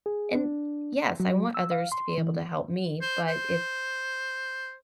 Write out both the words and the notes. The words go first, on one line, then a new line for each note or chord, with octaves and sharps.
and, yes, I want others to be able to help me, but if
G#4
D4
F#3
E6
F5
C6
E3
C5
C5